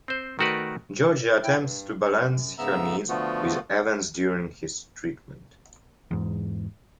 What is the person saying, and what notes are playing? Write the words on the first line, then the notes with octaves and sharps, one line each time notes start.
Georgie attempts to balance her needs with Evan's during his treatment.
C4 C5
D#3 A3 F#4 A#4 B4 D5
E4 G5
G2
F#2
G#2 C#3 B3 E5 A#5 E6
D3 F3 A3 B3 F4 F#4
E2 G#2